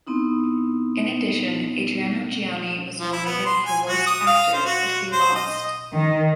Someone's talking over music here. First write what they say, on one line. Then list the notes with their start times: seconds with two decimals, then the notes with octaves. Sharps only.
In addition, Adriano Giannini was nominated for “worst actor” but he lost.
0.07 B3 C4 D#4 E4
3.00 F3
3.12 E4
3.26 B3
3.46 C6
3.66 G#5
3.87 F#4
4.06 D#6
4.26 F5
4.53 C5
4.66 F#4
5.12 C5
5.35 D#5
5.94 D#3